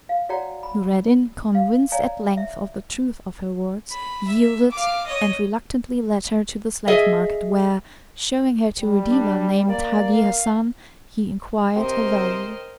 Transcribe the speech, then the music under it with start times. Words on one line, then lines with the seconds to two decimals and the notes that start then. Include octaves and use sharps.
Noureddin, convinced at length of the truth of her words, yielded, and reluctantly led her to the slave market, where, showing her to a dealer named Hagi Hassan, he inquired her value.
0.09 F5
0.29 F#4 C#5 D5 F#5 G5 A#5
0.63 B5
1.55 F5
1.92 C#5 D5 F5 G#5 A#5
2.37 E5
3.91 B5
4.28 E5
4.71 F5 D6
5.06 C#5 D#5
6.88 G#4 D#5 E5
8.81 G3
9.09 D4
9.68 A#3 D5
10.13 F5
11.76 C3 A#4 C5 D#5 G5 C6